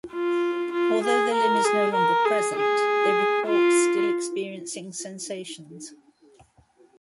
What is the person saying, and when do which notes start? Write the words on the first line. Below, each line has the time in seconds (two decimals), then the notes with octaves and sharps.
Although the limb is no longer present, they report still experiencing sensations.
0.13 F4
0.73 F4
1.04 G#4
1.34 A#4
1.65 G#4
1.95 A#4
2.25 G#4
2.57 G#4
3.47 F4